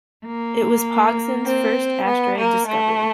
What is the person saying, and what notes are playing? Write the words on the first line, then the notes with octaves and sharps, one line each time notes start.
It was Pogson's first asteroid discovery.
A#3
C4
B3
A#3
A3